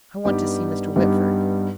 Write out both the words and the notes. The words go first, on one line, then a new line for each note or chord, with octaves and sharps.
"I want to see Mr. Whitford."
G2 G3 B3 D#4 G4
G2 G3 B3 D#4 G4